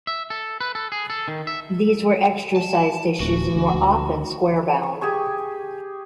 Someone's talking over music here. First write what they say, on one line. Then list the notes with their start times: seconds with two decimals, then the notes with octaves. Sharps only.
These were extra-sized issues, and were often square-bound.
0.07 E5
0.30 A4
0.60 B4
0.75 A4
0.92 G#4
1.10 A4
1.28 D#3
1.47 E5
2.56 A5
3.20 D1 D2 F#4
3.56 D2
3.74 D2
4.83 C#6
5.01 G4 G#4 G#5 C#6